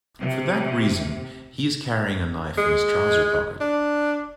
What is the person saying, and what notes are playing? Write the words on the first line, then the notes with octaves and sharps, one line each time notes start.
For that reason he is carrying a knife in his trouser pocket.
C3
G#3
D4